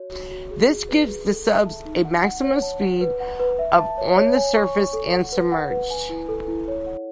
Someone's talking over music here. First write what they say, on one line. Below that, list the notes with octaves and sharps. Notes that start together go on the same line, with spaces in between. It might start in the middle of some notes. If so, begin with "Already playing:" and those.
This gives the subs a maximum speed of on the surface and submerged.
Already playing: F#4 C#5
F#4
F#4
G#4
G#4
B4
G#4
A4
E5
A5
D#4
F#5
F#5
C#5
A5
F#5
B4
F#5
B4
E5
A5
C#5
C#5
G#5
C#6
C#6
A4
F#5
B4
F#5
B4
G#5
E4
A4
E4
C#5
F#5